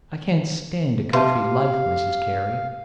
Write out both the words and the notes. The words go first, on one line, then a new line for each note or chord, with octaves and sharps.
I can't stand a country life, Mrs Carey.
G4 B4 E5 F5 A5 C6